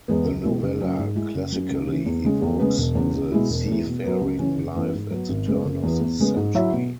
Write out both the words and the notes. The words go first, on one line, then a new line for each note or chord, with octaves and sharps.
The novella classically evokes the seafaring life at the turn of the century.
E2 E3 G#3 B3
C#2
B2 G#3 E4
F#1
F#2 C#3 F#3 C#4
G#2
G#3 E4 G#4
F#1
F#2 F#3 C#4
C#2
C#3 E3
E2
C#3 G#3
E2
C#3 G#3 B3
E1
E2 C#3
C#2
B2 G#3 E4
E1
E2 E3
B2
F#3 B3
C#2
C#3 E3 C#4
F#1
F#2 E3 B3
G#2
F#3 B3 F#4
G#1
F#2 C#3 G#3 B3
F#1
E2 E3 B3
E2
C#3 G#3 B3
G#2
F#3 E4 C#5 E5
B2